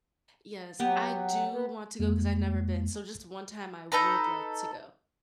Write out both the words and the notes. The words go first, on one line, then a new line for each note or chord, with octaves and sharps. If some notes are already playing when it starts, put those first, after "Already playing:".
Yes, I do want to go 'cause I've never been, so just one time I would like to go.
F#3 B3 G4 B4
B3
F2 G#3 A#3
D#4 A4 B4 A#5